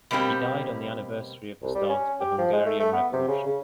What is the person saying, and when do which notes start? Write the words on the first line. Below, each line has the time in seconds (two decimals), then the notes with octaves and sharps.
He died on the anniversary of the start of the Hungarian revolution.
0.11 B2 G3 A#3 C4 G4
1.63 C2
1.75 G3
1.89 C#4
2.20 G4
2.38 F3
2.53 G#3
2.65 A3
2.80 A3
2.93 B3
3.13 C3
3.28 C#3
3.46 C#3